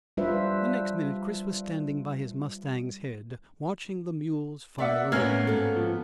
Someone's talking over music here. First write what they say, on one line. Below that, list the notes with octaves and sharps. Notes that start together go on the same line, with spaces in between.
The next minute Chris was standing by his mustang's head, watching the mules file away.
G3 D4 F4 B4 C5 E5
A#3 D4 D5 E5 F#5
A2 A#3 B3 C#4 F6 G#6
G#2 F#4 A4
F3